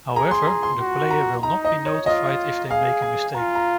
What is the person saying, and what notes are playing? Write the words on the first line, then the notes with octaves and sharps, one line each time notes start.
However, the player will not be notified if they make a mistake.
G#4 A#5
C6
A#5
C6
F#4
A#5
D#4 A#5
D#5
C#5
F4 D#5
G#4 F5
G#5
F4 A#5
A#5